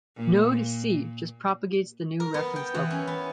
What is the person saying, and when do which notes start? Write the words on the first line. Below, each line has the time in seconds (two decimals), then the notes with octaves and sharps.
Node C just propagates the new reference level.
0.16 A#2
2.20 A#4
2.34 B3
2.56 G5
2.74 E3
2.91 C#4
3.07 B3